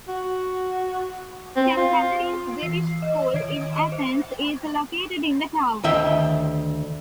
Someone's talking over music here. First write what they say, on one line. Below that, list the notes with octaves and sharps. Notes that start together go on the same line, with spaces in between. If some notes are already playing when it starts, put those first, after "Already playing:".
St.Catherine's British School in Athens is located in the town.
F#4
C4
F4
E3 E6 C7
D#5
D#3 C#5 D#5 G#6 D7
D#5
C5 E5
D2 D#3 E5 G5